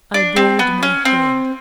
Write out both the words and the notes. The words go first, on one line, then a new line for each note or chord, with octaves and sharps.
I bowed my head.
D4
C4
B3
C#4
C4